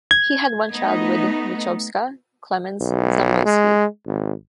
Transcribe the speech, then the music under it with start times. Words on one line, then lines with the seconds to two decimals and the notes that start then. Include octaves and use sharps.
He had one child with Michowska, Klemens Zamoyski.
0.11 G#6
0.74 A3 B3 D#4
2.81 B1
3.45 G#3
4.06 G#1